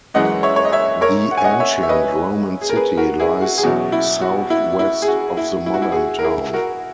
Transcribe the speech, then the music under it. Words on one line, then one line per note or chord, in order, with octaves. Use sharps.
The ancient Roman city lies southwest of the modern town.
F#2 E3 G#3 C#4 D#5 F#5
C#5 E5
C#5
D#5
C#5 E5
A#4 C#5
F#5
G#5
D#5 F#5
C#5 E5
E5
B4 D#5
G#4
A#4
G#4 B4
F#4 A#4
E4 G#4
F#4
G#4
E2 B2 F#3 C#4 E4 F#4
E4
F#4
E4
E4
G#4
F#4
E4
E4
F#4
E4
G#4
F#4
A#4
E4 G#4
F#4 A#4